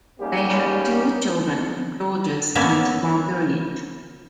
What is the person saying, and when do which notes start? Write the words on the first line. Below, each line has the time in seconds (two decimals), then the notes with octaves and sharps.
They had two children, Georges and Marguerite.
0.20 G#2 G3 A#3 B3 C#4 G4
2.55 A#3 B3 C#4 E5